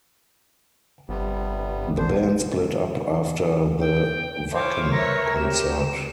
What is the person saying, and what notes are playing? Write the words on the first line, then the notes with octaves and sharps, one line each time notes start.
The band split up after the Wacken concert.
G1 C3 G3 B3
A1 D4 C5
G5
E4 C5 C#5 F5 D6
A#4 B4 C#5 E5 A#6
C4 G4 E7